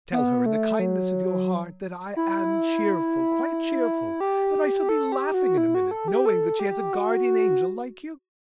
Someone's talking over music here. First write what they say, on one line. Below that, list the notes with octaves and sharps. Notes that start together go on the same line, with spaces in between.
Tell her, in the kindness of your heart, that I am cheerful, quite cheerful, that I shall be laughing in a minute, knowing that she has a guardian angel like you.
B3
A3
F#3
E4
G4
A4
G4
F#4
E4
F#4
A4
G4
A4
G4
F#4